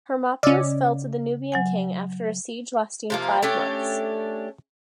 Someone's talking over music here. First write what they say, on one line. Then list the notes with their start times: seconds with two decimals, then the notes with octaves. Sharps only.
Hermopolis fell to the Nubian king after a siege lasting five months.
0.43 C#3 C#4 D5 D#5 E6
1.52 F#3 F#5 G#5
3.10 C3 F3 A#3
3.43 A3 C#4 D4 G4